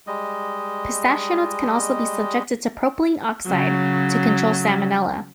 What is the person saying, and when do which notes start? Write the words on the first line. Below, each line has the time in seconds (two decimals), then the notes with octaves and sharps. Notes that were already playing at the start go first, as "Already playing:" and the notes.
Pistachio nuts can also be subjected to propylene oxide to control "Salmonella".
0.07 G3 G#3 D#5
3.46 C#3 F#3